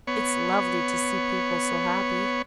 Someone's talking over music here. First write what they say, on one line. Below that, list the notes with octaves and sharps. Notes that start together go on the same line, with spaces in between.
It's lovely to see people so happy.
B3 C#5